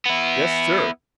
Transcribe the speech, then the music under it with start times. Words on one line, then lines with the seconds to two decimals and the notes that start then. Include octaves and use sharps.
"Yes, sir!"
0.06 B3 E4